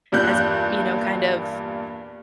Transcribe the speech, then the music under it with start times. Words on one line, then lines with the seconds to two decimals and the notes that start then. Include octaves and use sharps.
has, you know, kind of
0.12 E2 G2 A#2 F#6 G6